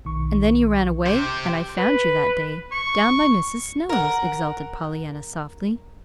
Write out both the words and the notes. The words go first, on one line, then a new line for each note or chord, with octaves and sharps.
"And then you ran away and I found you that day, down by Mrs. Snow's," exulted Pollyanna, softly.
B1 D#3 C#6
G4 C5
B4
C#6
A#4 F#5